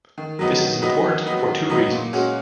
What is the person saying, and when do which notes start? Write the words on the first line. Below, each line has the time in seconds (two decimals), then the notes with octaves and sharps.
This is important for two reasons.
0.18 D#3
0.39 F#3 B3 D#4
0.60 D#3
0.82 F#3 B3 D#4
1.04 D#3
1.26 F#3 B3 D#4
1.48 D#3
1.70 F#3 B3 D#4
1.91 A#2
2.13 G#3 C#4 F#4